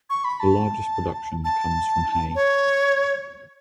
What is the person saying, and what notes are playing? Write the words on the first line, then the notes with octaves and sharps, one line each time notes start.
The largest production comes from hay.
C#6
B5
A5
A5
C#5